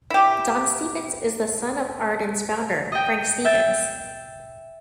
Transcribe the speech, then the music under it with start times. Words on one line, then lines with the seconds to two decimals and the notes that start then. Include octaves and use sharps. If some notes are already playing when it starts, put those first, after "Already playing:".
"Don" Stephens is the son of Arden's founder Frank Stephens.
0.10 E4 G4
2.92 D#5 G5
3.45 E5 G5 A6